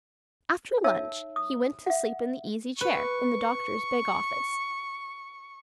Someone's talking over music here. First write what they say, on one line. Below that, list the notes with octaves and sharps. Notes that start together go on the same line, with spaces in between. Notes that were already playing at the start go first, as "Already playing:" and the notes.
After lunch he went to sleep in the easy-chair in the doctor's big office.
D#4 C#5 E5 A5 E6
D#6
E5 F#5
B4 C#6